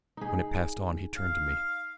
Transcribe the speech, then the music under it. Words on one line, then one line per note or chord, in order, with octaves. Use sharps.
When it passed on, he turned to me.
D#4 G#4
F5